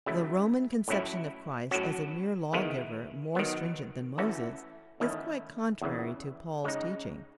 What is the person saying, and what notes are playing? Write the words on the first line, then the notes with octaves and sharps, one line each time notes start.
The Roman conception of Christ as a mere lawgiver more stringent than Moses, is quite contrary to Paul's teaching.
C#3 F#3 A3 E4
A2 F#3 C#4 E4
A2 F#3 C#4 F#4
D#3 G#3 B3 E4
D#3 F#3 B3
E3 A3 C#4 F#4
E2 D#3 A3 C#4 E4
E2 C#3 E3
C#3 G#3 D#4